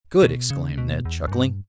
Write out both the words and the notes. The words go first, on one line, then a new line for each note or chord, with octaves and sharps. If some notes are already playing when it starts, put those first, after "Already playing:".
"Good!" exclaimed Ned, chuckling.
B2
C#3
B2
E2
F#2
G2